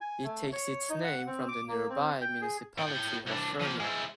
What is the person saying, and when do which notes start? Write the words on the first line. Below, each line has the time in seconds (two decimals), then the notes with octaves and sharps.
It takes its name from the nearby municipality of Furna.
0.01 G#5
0.23 A3
0.52 C#5
0.89 D#4
1.04 F#5
1.27 C4
1.48 D6
1.68 A#3
1.90 C4
2.21 G5
2.41 G#4
2.78 A2 G5
3.26 C2 D4
3.60 F3 A#3
3.80 G#3 E4